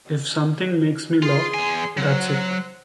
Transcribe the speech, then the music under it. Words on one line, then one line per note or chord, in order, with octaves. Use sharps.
If something makes me laugh, that's it.
F4 G#4 C6
E2 G#5
F#3 C5 F#5